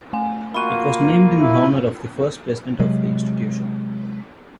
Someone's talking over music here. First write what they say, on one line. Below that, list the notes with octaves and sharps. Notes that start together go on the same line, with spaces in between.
It was named in honor of the first president of the institution.
A3 G#5
A#3 F4 F#4 B5 D#7
E4
C3 F#3 G#3